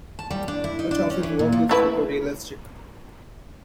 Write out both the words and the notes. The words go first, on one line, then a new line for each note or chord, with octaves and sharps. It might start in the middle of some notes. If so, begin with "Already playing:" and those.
Much of his work is photorealistic.
A5
G3
D4
E4
D#4
D4
C#4
E3
A#2
F3
A3 E4 B4